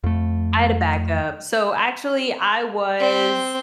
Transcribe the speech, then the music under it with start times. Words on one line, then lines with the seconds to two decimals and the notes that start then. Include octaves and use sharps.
I had a backup. So actually, I was
0.04 F2 A3
2.99 C4